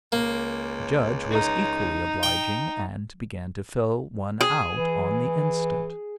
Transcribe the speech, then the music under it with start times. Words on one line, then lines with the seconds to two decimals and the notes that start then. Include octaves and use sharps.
The judge was equally obliging, and began to fill one out on the instant.
0.12 C#2 A#3
1.31 D#4 A#5
2.23 G5
4.41 G#4
4.74 E3